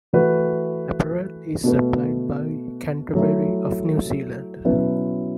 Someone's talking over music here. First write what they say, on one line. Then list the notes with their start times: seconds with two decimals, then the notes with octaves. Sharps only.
Apparel is supplied by Canterbury of New Zealand.
0.13 E3 A3 F#4 B4
1.64 B2 A3 F#4 B4
3.15 F#3 A3 E4
4.65 B2 F#3 C#4 E4 B4